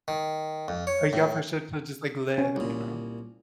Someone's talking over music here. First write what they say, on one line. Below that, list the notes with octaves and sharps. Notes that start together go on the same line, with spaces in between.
Uh, yeah, for sure to just like live, you know.
D#3
F2
C#5
A2
C#4
C2 A#2